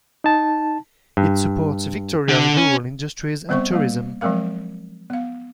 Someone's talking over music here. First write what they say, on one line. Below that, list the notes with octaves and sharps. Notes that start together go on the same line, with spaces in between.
It supports Victoria's rural industries and tourism.
D#4 A5
G2
D3
C#4
G3 B3 C4 C5 E5 C#6
G3 A#3
F3 F#3 G#3 C4 A#4 F5
B3 F5